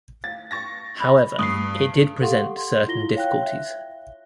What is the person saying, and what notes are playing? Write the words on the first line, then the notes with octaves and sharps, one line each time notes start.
However it did present certain difficulties.
F5 A6
C#6 A6 A#6
B5
G2 D#6 C7
G4 A4 F5 F#5 C6 C#6
C6
E4 F4 A#6 G7
C#5 F5 G5 F#6
E5